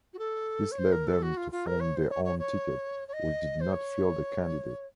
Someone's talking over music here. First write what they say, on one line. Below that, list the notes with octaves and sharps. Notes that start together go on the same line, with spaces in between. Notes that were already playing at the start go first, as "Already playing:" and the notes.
This led them to form their own ticket which did not field a candidate.
F#4
A4
C#5
C5
A#4
A4
F#4
F4
F4
A#4
C#5
C5
C#5
C#5
C#5
C#5
D#5
C5
C#5